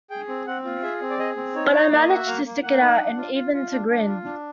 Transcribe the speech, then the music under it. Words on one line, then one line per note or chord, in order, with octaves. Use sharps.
But I managed to stick it out and even to grin.
G#4 G5
C4
C4 F#5
F4
G#4 E5
C4
D5
G#4 D#5
C4
D#4 C#5
C5
D#4 C#5
A#3 D5
D#5
F#4
E5
A#3 F5
A#3
A#3 F#5
D#4
D4
F4
F4
F4
D4
D4
F4
D4